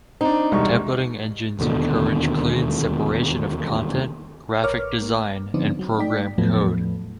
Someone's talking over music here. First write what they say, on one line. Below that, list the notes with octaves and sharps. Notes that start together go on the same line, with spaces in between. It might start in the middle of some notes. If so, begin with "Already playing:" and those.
Templating engines encourage clean separation of content, graphic design, and program code.
C4 D4 D#4
E1 C2 C#6
E1 D#2 B2 D3
A1 A#4 B4 C#5 D6 F6
A#3
D3 F3 B3 C4 D4 D#4
F#3
A3 D#4 D5 G5 B6
E2 A2 F3 F#3 A3 B3